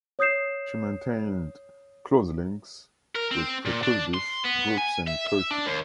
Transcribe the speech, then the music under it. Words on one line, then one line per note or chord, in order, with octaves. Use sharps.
She maintained close links with pro-Kurdish groups in Turkey.
C#5 D#6 G6 C7 E7
A#4
C4
A#2
D4
C6
B3
G#5
E5
E5
D4
D#2